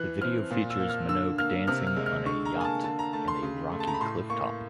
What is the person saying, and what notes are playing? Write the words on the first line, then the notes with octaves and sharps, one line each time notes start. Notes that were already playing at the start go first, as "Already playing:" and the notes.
The video features Minogue dancing on a yacht and a rocky cliff top.
Already playing: E3 F#6
C4 F6
A#2
E6
A#3
F6
D3 E6
A#3 F6
C3 F6
F6
G#3
F6
D3 C#6
A#5
A#3
G#5
A5
D3 A5
A#5
A3 A5
C6
C#3
A3
A5
A#5
B5
A2 C6
A#3 C#6